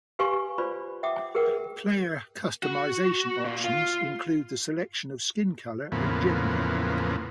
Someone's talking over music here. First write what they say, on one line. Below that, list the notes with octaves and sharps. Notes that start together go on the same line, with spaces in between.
Player customization options include the selection of skin color and gender.
G4 B4 F5 G#5 C6 C#6
F4 B4 C5 D5 B5
E5 F#5 G5 D6 D#6
G#4 A#4 B4 F#5 G5
F#4
A#2
F4
E2 A2 C#3 F3 A#3 B3